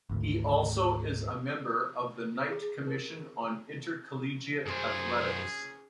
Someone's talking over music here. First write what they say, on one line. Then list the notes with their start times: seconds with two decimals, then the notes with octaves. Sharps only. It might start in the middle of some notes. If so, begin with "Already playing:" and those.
He also is a member of the Knight Commission on Intercollegiate Athletics.
0.09 G#1 D2
2.50 G#4
2.87 A#4
4.66 F#2 C#4 G#4 C5